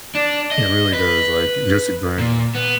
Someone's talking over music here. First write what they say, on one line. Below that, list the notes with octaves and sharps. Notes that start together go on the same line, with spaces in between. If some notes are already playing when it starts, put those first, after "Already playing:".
It really does, like, just grinding.
D4
D#5
B4
A#2
B3